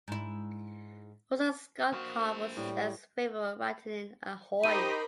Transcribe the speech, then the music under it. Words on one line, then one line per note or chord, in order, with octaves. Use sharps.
Orson Scott Card was less favorable, writing in Ahoy!
G#2 E4
A#3 F#4 C5 D#5 F5
A2 G3
D#4 G4 A#4 C5 D#5 B5 D#7